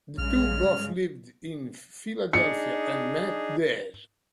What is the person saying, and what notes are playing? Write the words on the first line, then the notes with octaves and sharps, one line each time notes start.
The two both lived in Philadelphia and met there.
A#1 G2 C#3 G#3 F6
D4 D#4 G#4 C#7